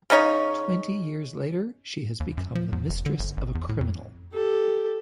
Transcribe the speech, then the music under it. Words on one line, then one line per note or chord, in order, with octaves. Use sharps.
Twenty years later, she has become the mistress of a criminal.
C#3 C#4 D#4 C#5
D#2
F#2
F3
E2
F1
D3
G1
G#1
E2
A2
F2
G4 A4